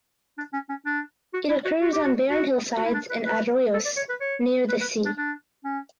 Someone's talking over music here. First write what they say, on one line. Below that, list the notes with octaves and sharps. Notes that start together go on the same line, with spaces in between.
It occurs on barren hillsides and arroyos near the sea.
D4
C#4
C#4
D4
F#4
E4
F#4
F#4
G4
F#4
F#4
F#4
E4
D4
B4
B4
A4
D5
C#5
B4
C#5
B4
B4
D4
D4
C#4